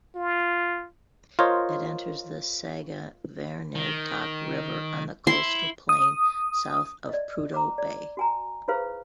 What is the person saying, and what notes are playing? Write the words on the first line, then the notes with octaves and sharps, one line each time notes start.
It enters the Sagavanirktok River on the coastal plain south of Prudhoe Bay.
F4
F4 A#4 C5 C#5 D#5
D#3
E4 C6
D#6
D5 D#5
A#5 D6
D5
F#4 G#5 A#5
E4 F4 G#4 B4 C5 F5